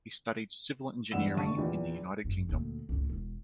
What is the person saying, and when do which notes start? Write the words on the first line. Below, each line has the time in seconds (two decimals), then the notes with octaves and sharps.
He studied civil engineering in the United Kingdom.
1.12 E2 G2 F#5 E6 E7
1.37 F1 D3 A3 A5 C#6 D#7
1.55 E2 A#2 D#3
2.24 G#1 F#2
2.49 D2 A#2
2.89 C#2 A2
3.09 E1